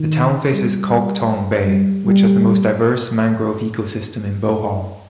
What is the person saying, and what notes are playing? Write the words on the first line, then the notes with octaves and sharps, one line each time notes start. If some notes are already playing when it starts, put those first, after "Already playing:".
The town faces Cogtong Bay which has the most diverse mangrove ecosystem in Bohol.
Already playing: D#3
G3
G3
G3